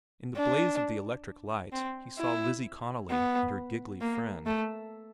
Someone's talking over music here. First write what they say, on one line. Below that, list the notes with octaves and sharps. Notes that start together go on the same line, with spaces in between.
In the blaze of the electric lights, he saw Lizzie Connolly and her giggly friend.
D4
C4
E4
B3
A#3
A3